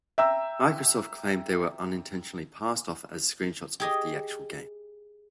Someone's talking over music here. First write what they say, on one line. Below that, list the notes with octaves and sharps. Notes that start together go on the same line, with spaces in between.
Microsoft claimed they were unintentionally passed off as screenshots of the actual game.
E5 G5 A#5 E6
G4 G#4 D#5